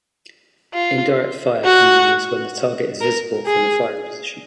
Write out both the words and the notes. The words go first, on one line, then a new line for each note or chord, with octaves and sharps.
Indirect fire can be used when the target is visible from the firing position.
F4
F#4
A#4
G#4